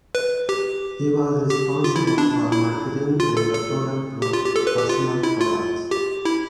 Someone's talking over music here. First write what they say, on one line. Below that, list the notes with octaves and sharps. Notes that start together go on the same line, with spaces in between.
He was responsible for marketing and the product group 'personal products'.
B4
G4
G4
F4
E4
E4
D4
E4
F4
A4
A4
G4
F4
G4
A4
B4
G4
F4
E4
F4
G4
E4